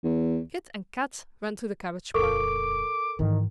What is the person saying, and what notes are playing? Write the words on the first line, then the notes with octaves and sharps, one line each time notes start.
Kit and Kat ran to the cabbage-pile.
E2
D#1 F2 A4 A#4 C#6 D6
G#2 D#3 E3